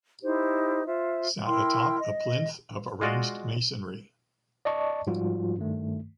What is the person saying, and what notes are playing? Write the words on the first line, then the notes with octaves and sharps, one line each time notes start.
Sat atop a plinth of arranged masonry.
D#4 E4 G4 C5
F4 C5 E5
E4 A#4 G5 C6
D#5
G#3 F4 F#4 D5 D#5 F5
D5 D#5 A5 C#6
G#2 F3 G3 F4 F#4
G2 D#3 A3